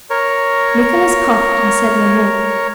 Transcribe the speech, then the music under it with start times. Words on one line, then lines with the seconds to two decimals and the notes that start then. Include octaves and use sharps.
Nicholas coughed and said no more.
0.10 A#4 C#5